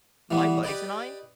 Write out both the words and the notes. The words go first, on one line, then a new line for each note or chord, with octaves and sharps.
My buddies and I,
E3 G3 B3
G4 B4 D5 D#5